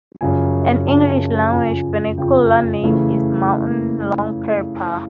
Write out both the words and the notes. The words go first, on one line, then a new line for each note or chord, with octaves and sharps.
An English language vernacular name is "mountain long pepper".
F#2 C#3 F3 G#5
F#2 C#3 F3 A5
F2 C#3 F3 G#5
F2 C#3 F3 G5
C#3 E3 A3